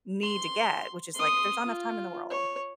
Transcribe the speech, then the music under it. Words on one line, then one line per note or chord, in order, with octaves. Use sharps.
need to get, which is, like, there's not enough time in the world.
C6
C6 D#6
F4
C#5